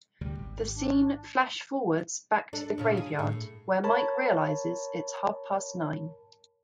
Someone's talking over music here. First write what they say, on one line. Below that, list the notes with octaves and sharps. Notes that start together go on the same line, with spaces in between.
The scene flash-forwards back to the graveyard, where Mike realizes its half-past nine.
D2 C3 G3 G4
G#1
D4
D4 A4
A#2 C#3 C#4
G#4
A2
A#4 C#5 A5 B5